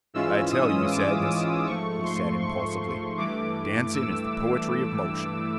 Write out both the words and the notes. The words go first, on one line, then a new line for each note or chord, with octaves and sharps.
"I tell you, Sadness," he said impulsively, "dancing is the poetry of motion."
G#2 E3 G#3 C#4 F4 E6
D#6
D6
G#2 F3 A3 C#6
C6
C#6
G2 E3 A3 D6
E6